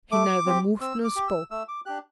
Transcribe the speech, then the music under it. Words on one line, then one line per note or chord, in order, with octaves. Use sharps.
He neither moved nor spoke.
A3 D6
C4 G4
C4 E6
D6
G4
E6
A3 E6
D6
D4 G4 F#6